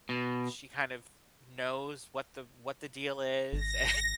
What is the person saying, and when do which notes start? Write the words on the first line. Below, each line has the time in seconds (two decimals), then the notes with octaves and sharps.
she kind of knows what the what the deal is, a
0.09 B2
3.53 G#1 A#6